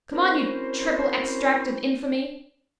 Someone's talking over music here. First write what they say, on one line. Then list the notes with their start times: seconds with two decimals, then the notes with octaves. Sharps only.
Come on, you triple extract of infamy!
0.12 C4 C#4 E4 F#4 A#4 C5